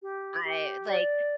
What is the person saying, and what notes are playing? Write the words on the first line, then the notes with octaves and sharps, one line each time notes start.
I, like
G4
G4
D5